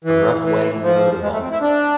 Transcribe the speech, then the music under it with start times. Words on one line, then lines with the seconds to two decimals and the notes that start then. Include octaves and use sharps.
A rough wagon road evolved.
0.04 E3
0.43 E3
0.83 F3
1.22 G#3
1.32 A3
1.42 C4
1.51 E4
1.61 D4